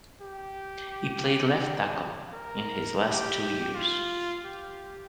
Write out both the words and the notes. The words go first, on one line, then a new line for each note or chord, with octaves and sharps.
He played left tackle in his last two years.
G4
A#4
G4
F4
G4